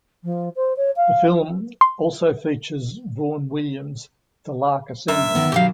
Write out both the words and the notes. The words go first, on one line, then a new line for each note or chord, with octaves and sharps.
The film also features Vaughan Williams's "The Lark Ascending".
F3
C5
C#5
F5
C6
F#2 D4 E5
E2 D#3 B3
B2 D#3 F#3 G4 F5